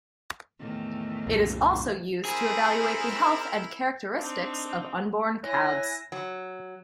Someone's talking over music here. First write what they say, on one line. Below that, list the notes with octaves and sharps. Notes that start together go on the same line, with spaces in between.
It is also used to evaluate the health and characteristics of unborn calves.
E2 A2 D#3
C2 F#2 A#2
C4 E4 G#4 A#4
C4 D4 D#4
E4 C#5 G#5 F#6 A#6
F#3